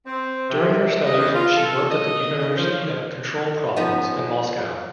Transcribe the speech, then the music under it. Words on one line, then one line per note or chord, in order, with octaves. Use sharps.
During her studies she worked at the Institute of Control Problems in Moscow.
C4
C3
D#5
E2
F4
A4
D#5
C#3
F3
F3 B3 C#4 D#4